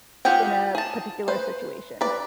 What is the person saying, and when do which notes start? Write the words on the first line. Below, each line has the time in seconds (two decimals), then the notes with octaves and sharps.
in a particular situation.
0.25 F4 G4 G#4 F#5 G5
0.75 G#4 A5
1.28 B4 C5
2.01 B4 D5